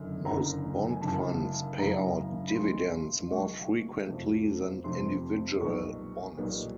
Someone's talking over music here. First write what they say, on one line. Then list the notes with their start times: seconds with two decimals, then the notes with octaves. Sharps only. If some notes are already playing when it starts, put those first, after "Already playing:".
Most bond funds pay out dividends more frequently than individual bonds.
Already playing: F#1 F#2 D3
0.25 F#1 F#2 D3 A#5
0.90 G#5
1.02 F#1 F#2 C#3 F#3 A5
1.78 F#1 F#2 C#3 F#3 A#5
2.47 B5
2.55 B1 B2 G#3 C6
3.31 B1 B2 G#3 C#6
4.08 F2 C3 F3 A3
4.84 F2 C3 F3 A3 C6
5.61 B1 A#2 G3 B3 D#4 C#6
6.37 B1 A#2 G3 B3 D#4